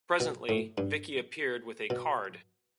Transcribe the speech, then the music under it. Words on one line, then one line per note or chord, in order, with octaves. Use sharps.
Presently, Vicky appeared with a card.
B2
A2
G2
B2